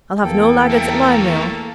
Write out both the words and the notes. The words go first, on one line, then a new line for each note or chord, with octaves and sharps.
'I'll have no laggards at my mill.
E2 A#3 A4 G5
A3 A#4